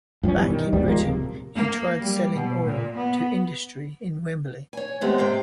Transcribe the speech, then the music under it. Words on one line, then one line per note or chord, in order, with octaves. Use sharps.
Back in Britain he tried selling oil to industry in Wembley.
G2 F3 C4 C#4
G2 B2 E3 G3
D#3
D#2 G#2 B2 G3
F3 G#3 A#3
D1 C3
A#3
G3
B2
A#2
B3
C#5 G#5
D#2 C3 G#3 A3 B3
G#2 F5 G5